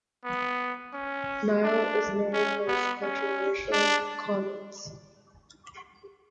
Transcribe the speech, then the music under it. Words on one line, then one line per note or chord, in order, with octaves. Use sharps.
Nile is noted for his controversial comments.
B3
C#4
D4
C#4
B3
C#4
D4